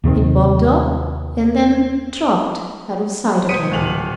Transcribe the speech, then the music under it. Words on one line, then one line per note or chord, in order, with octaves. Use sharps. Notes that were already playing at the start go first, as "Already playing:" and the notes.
It bobbed up and then dropped out of sight again.
D#2 C3 D#3 C4
F1 C5 D#6 B6 C#7 D#7
D1 A#2 A4 F7 F#7